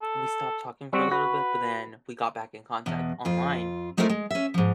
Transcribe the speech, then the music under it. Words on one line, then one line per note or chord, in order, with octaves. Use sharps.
we stopped talking for a little bit, but then we got back in contact online
A4
G3 C4 F#4
F#4 B4
E2 B2
F2 F4
G#3 A3 C4 E4 F4 A#4
G#3
C#4 E5
G#2 F3